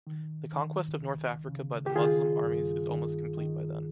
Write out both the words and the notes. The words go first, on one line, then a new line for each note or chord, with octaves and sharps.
The conquest of North Africa by the Muslim armies is almost complete by then.
D#3
D#3
C#2
C#3
G4
D#3 F4 G#4
G2
D#3
D#3